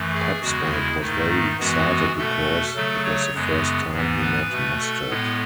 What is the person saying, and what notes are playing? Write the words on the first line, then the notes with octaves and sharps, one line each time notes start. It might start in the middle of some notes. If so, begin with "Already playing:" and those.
Pop Smoke was very excited because it was the first time he met Mustard.
Already playing: F#2 E3 A3
G#4
E2 C#3 G#3 F#4
E4
G#2 D#3 A3 D#4
D#4
F#2 E3 G#3 B3 F#4
B2 A3 A4
C#3 F#3 A3 A4
C#5
F#2 C#3 G#3 B3
G#2 E3 B3
B4
B2 A3
A4
A2 G#3 B3